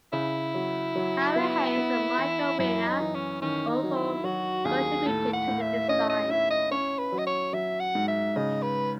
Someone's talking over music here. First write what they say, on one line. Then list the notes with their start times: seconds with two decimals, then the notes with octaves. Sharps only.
Howard Heys and Michael Wiener also contributed to the design.
0.13 C#3 E4
0.54 F#3
0.96 F#3
1.36 B3
1.77 B3
2.18 E3
2.59 F#2 E4
2.88 D#4
3.00 E3
3.15 C#4
3.42 D#3 C#4
3.69 D#4
3.83 F#3
3.96 E4
4.24 F#3 F#4
4.65 D#2 G#4
5.06 A2 A4
5.33 F#5
5.47 A2
5.61 E5
5.88 C#4 D#5
6.09 D#5
6.29 E4 E5
6.50 D#5
6.71 C#4 C#5
6.98 B4
7.12 F#3
7.18 D#5
7.26 C#5
7.53 F#3 E5
7.80 F#5
7.95 G#2
8.08 E5
8.36 C#3 D#5
8.62 B4